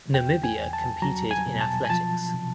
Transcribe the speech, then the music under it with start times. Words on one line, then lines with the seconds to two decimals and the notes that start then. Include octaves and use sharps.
Namibia competed in athletics.
0.14 E2 G5
0.44 G#5
0.58 E2
0.73 A5
1.02 F#3 A#5
1.31 G#5
1.46 B2
1.61 A5
1.85 G#5
1.90 F3 A5
2.34 C3